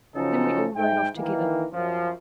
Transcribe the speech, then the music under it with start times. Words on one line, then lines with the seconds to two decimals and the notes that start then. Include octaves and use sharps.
Then we all rode off together.
0.15 C#3 F3 F#3 C#4 D#4 A4
0.76 G#2 E5 G5
1.16 D#3 E3 A#3
1.72 F#2 F3